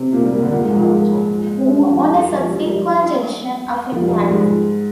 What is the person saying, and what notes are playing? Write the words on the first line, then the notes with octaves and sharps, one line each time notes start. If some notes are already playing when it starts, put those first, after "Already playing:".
On a subsequent edition of Impact!
Already playing: C3 C4
A#2 A#3
G3
A#2 A#3
D3 D4
A#2 A#3
G#2 G#3
F3
A#2 A#3
G#2 G#3
G3
F3
G3
G3
F3
G3
F3
G3
F3
G3
F3
G3
G#2 G#3